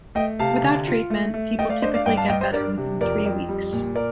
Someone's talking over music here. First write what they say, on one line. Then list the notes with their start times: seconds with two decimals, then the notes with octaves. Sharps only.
Without treatment people typically get better within three weeks.
0.15 A3 D#5 G5
0.39 C3 F5 A5
0.63 D3
0.87 F4
1.10 A3
1.34 A3
1.59 A3 D#5 G5
1.70 D5 F5
1.82 D4 C5 D#5
1.94 D5 F5
2.05 G2 D#5 G5
2.17 F5 A5
2.29 G2 D#5 G5
2.41 C5 D#5
2.53 D4 A#4 D5
2.78 C3
3.01 F2 A#4 D5
3.25 F2
3.49 G3
3.73 A#2
3.95 A#4 D5